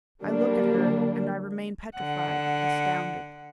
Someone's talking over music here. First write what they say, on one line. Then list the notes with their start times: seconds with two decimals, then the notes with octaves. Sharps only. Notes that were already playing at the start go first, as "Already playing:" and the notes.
I look at her, and I remain petrified, astounded.
0.23 D3 F#3 G3 A#3 D4
1.95 D3 F#5